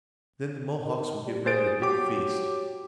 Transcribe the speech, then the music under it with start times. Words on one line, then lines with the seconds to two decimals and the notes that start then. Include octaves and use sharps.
Then the Mohawks will get ready a big feast.
0.83 D#3
1.26 G3
1.46 G#4 C5 A6 D7
1.82 F#3 G4 D6